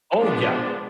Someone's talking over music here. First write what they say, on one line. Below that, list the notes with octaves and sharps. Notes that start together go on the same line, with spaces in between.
Oh, yeah.
F3 G#3 B3 D4